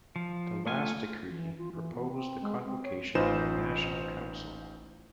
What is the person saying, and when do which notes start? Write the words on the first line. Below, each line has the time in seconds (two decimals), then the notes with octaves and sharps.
The last decree proposed the convocation of a national council.
0.16 F3
0.66 A3 F4 G#5
1.29 E3
1.58 F4
1.72 E3
1.93 B3
2.11 C4
2.42 G#3
2.66 C4
2.84 C#5
3.15 A1 D#4 F4 B4 C5 E7